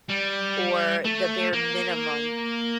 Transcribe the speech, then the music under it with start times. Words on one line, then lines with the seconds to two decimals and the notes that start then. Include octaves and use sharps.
or the bare minimum.
0.09 G3
1.04 A3
1.53 A#3